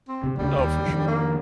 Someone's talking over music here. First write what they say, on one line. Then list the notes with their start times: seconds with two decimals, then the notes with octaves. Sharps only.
Oh, for sure.
0.08 C4
0.24 C3
0.38 D2 C#3 G3
0.57 D#2
0.84 F2 D3 D#3
1.08 A#3